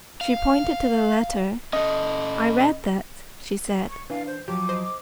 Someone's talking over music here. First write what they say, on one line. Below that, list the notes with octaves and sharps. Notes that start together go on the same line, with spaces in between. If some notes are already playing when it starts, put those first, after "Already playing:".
She pointed to the letter: "I read that," she said.
F5
C#4 A4 D#5
C#6
E3 D4 F5
C5
F3 F#3 G4 D6
C5 D#5